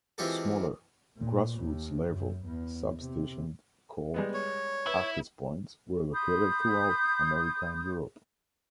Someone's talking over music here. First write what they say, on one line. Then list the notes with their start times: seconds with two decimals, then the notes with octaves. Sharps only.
Smaller, "grass-roots"-level sub-stations called "Access Points" were located throughout America and Europe.
0.18 E3 G#3 C4 F4 G4 A4
1.17 A#2
1.61 D#2
2.05 F#2
2.46 E2
2.99 C3
4.14 G3 G#3 B3
4.34 C#5
4.87 E4 B4
6.13 B5 C6 D#6 G6